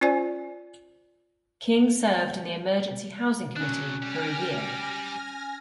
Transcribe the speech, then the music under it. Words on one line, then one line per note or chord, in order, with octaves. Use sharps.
King served in the Emergency Housing Committee for a year.
C#4 F4 C5 D5 G#5
F#3 C#4 D4 F#6
G3 G4 G#5 F6 A#6